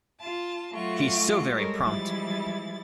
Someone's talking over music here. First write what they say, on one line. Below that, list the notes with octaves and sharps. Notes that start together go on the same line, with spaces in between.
He's so very prompt!
F4 A5
F#3 A3 F4 F#4 A4 C#6
G3 G#3 A4 A#4 C#5
E3 F3 G3 G#3 E4 A6